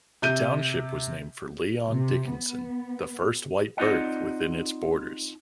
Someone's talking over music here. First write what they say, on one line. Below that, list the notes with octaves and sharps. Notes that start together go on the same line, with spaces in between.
The township was named for Leon Dickinson, the first white birth within its borders.
C3 G6 D#7
C3
B3
C4 D#4 F4 D5 D#5 F#5